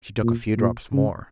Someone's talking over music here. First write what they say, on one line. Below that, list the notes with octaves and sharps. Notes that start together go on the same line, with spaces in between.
She took a few drops more.
A#2
A#2
C#3